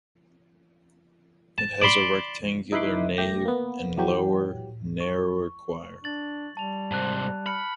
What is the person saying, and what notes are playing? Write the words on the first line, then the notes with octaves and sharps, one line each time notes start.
It has a rectangular nave and lower, narrower choir.
A5
D5 A5 B5 C6 D6
D#4 E4 B4 B5 C6 D6
A3 G4 A#6
A#3 B3
E3 F#3 G4
C#6
D4 A6 F#7
G3 A5 F7
G#2 C3 A5 F#6
B5 F6 C#7